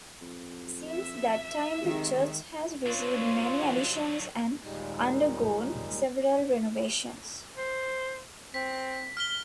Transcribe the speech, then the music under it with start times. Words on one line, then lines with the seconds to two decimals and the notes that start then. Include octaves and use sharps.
Since that time the church has received many additions and undergone several renovations.
0.21 F2
0.90 E5 E6
1.83 C3 D#3 G#3
2.86 F#3 D4 F4 C5 C#5
4.62 D#2 A#2 G3 G#3 D#4
7.57 C5
8.54 C4 B6
9.17 F6 B6 G7